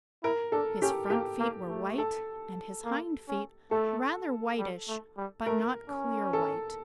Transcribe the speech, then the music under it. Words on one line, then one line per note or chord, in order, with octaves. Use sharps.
His front feet were white, and his hind feet rather whitish, but not clear white.
E4 A#4
D4 A4
C#4 G4
A#3 G4
A#3
A3
A4
A#3
C#4
A3 A4
G3
A3
G3
A3 A#4
C#4
A4